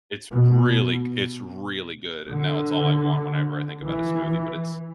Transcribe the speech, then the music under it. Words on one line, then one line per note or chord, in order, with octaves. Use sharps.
It's really g it's really good, and now it's all I want whenever I think about a smoothie, but it's
B2
D3
E3